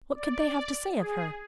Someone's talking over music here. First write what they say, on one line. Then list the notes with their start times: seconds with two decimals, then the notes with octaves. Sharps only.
What could they have to say of her?
0.15 D5
0.94 G#4